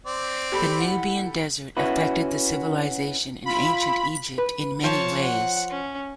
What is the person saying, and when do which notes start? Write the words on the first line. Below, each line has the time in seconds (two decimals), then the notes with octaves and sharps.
The Nubian Desert affected the civilization in ancient Egypt in many ways.
0.06 C4 D5
0.52 G4 A4 B5
0.78 E4 F#5
1.77 C#4 E4 F#4 B4
3.46 F4 B5
4.38 B4
4.83 F3 C#5 A5
5.22 F#5
5.69 C#4